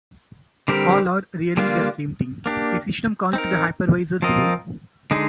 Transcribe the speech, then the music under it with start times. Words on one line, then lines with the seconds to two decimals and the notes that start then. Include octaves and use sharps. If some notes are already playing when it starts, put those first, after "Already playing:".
All are really the same thing, a system call to the hypervisor below.
0.68 D3 G3 C4 G4 A#4
1.57 D3 G3 A#3 D4 F4
2.46 A#3 D4 G4
3.33 C4 D#4 A#4
4.22 F3 C4 F4 A#4 D#5
5.11 D3 G#3 D#4 G#4